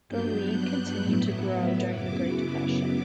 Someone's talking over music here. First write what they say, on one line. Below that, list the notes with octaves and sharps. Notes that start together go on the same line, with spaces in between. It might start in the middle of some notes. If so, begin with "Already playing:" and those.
The League continued to grow during the Great Depression.
G2 F#3 B3 D4 G6
F#6
A2 F#3 B3 E4
F#2 C#3 F#3 B3 E4 D6